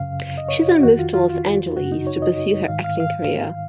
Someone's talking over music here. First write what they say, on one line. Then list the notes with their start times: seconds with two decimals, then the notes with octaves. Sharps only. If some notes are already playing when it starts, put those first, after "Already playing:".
She then moved to Los Angeles to pursue her acting career.
Already playing: F#2 C#3 F5
0.38 D#5
0.49 C#5
0.72 F#4
0.83 F2 D#3 F#4
0.99 F4
1.14 F4
1.30 F4
1.76 F#2 C#3 F#4
1.92 D#4
2.07 C#5
2.22 D#5
2.68 G#2 D#3 F5
2.84 F5
3.00 F5